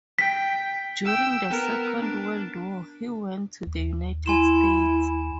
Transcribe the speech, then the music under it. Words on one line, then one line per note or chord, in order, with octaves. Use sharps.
During the Second World War, he went to the United States.
G5 B6
G5 E6
B3 A#4
D4
D#2
E4 G#5 C6 E7